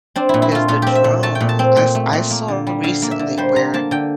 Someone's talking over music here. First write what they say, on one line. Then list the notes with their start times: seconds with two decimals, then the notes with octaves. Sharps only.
is the drone. I s I saw recently where
0.16 C4 D4
0.29 A#2 E4
0.42 E4
0.52 A3 F4
0.68 A#2 F4
0.82 C4 G4
0.95 E5
1.04 A#2
1.23 A3 A5
1.35 G5
1.40 A#2
1.49 A5
1.59 C4
1.76 A#2 G5
1.95 A3
2.13 A#2
2.31 A#3
2.48 D3
2.67 G3
2.84 D3 F5
3.02 A#3
3.11 E5
3.19 D3
3.38 G3 C5
3.56 D3 A#5
3.74 A#3 A5
3.91 D3 G5